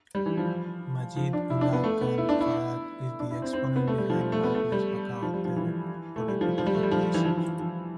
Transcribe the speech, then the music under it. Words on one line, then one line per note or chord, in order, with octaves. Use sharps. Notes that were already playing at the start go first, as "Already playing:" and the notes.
Majeed Ullah Khan Farhat is the exponent behind Majlis Bachao Tehreek political Operations.
G3
E3
F3
F3
D4
E4
D4
B3
A3
B3
E4
D4
E4
D4
E4
C4
C4
C4
B3
A3
G3
F3
F3
A3
B3
A3
G3
F3
G3
F3
E3
A3
G3
F3
F3
G3
A3
G3
F3
F3
E3
F3
E3
F3
F3